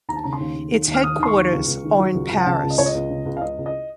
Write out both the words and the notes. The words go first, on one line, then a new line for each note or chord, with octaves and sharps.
Its headquarters are in Paris.
D#2 A#5
A5
C#3 A#5
C6
D#2
D#2
D#2
D#2
F6
D#3 D#6
D#2 C6
C#6
D#2
C#2
C#2
D#3
F#3
C#2
C#2
F#5
C#3 A5
C#2
D#5
C#2 C#5
D#5
C#2
C#3
C#2
F5
C#2 D#5
C#2
D#5